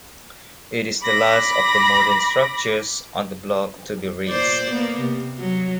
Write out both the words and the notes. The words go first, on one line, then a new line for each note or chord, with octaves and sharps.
It is the last of the modern structures on the block to be razed.
B5 D6 A#6
A#2 C5 D5
A#3 B3
C3
F#3